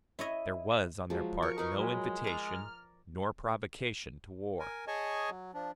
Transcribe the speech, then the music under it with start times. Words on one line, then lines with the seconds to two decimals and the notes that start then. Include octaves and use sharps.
There was on their part no invitation nor provocation to war.
0.19 E4 C#5 D#5
1.10 F3 F#3 G#3
1.43 A#4 C#6
1.58 D#4 A#4 B4 F5
1.79 F#3 G#3
2.24 D5 A#5 F6
4.60 A#4 G#5
4.87 G#4 C#5 D#5 G#5 A5 C#6
5.30 F#3
5.54 F3 D4